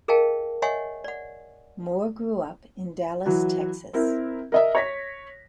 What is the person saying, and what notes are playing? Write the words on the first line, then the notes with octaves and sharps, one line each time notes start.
Moor grew up in Dallas, Texas.
G#4 A#4 D#5 F5 G5 A5
C#5 D#5 E5 F#5 G#5 C#6
D5 F#5
E3 F#3 F#4
C4 E4 A#4
A#4 D#5 E5
C#5 A#6 B6